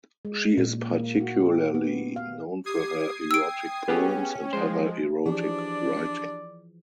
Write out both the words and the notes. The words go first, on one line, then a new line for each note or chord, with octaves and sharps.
She is particularly known for her erotic poems and other erotic writing.
G#3
A#2
A#3
F#4
G4
B3
F5
G4 D#6 G#6 C7
G5 E6 D7
B3 C#4 G4 G#4
F3 G#3 C5
E3 F3 D4 G4 G#4 D5